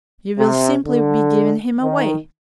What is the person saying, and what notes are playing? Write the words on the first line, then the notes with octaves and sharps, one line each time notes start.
You will simply be giving him away.
C3
D3
D#3